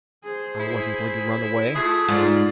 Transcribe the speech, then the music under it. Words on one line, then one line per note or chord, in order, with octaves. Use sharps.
I wasn't going to run away.
G#4 C5
E4
A3 F4 G#4
G#2 F4 D5